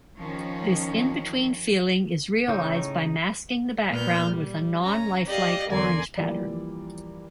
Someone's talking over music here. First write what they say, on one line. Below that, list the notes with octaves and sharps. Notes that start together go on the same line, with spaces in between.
This "in-between" feeling is realized by masking the background with a non-lifelike orange pattern.
D#3 F3 C#4
A2 C#3 D#4 C#5 G6
A#2 B3 F6 G6
G3
C#4 A#5
G4 D5 D#5 F5
E2 D3 A#4 D5 G#5 C6
E3 F3 G3 A#3 D5